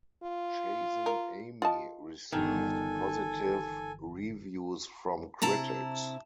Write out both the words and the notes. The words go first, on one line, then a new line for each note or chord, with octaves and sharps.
"Chasing Amy" received positive reviews from critics.
F4
A#4
F4 D#5 A5
G1 D#3 E3 A4 G#5
C3 E4 A5 A#5